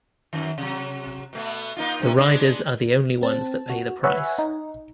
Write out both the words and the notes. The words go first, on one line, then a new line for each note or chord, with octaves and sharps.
The riders are the only ones that pay the price.
F#2 D#3
C3 F#3
B2 A3 B3
A#3 D#4 F4
G2 C3 C#4
G#3 B3 D4
C4 A5
F#4
B4 C#5 E5 F#5 G#5
D#4